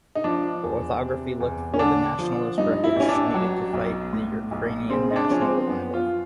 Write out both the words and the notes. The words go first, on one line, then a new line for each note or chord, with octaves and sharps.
The orthography looked for the "nationalist wreckage" needed to fight the Ukrainian national revival.
D#4
F3 D4
E2
C3
E2
C#4
D3 D4
F3
G2 D#4
E4
A1 C#4
D4
F#3
B1
A2
B1
C#3 C4
D#4
D4
F3 C#4
C4
F#2 B3
F4